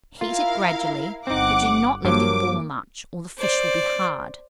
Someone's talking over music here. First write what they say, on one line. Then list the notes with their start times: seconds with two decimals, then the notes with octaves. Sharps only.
Heat it gradually, but do not let it boil much, or the fish will be hard.
0.21 E4 F4 A#4 F5
1.27 G1 C4 D#4 F#5 D6
2.05 G2 F3 F#3 A#3 D6
3.38 C5 D5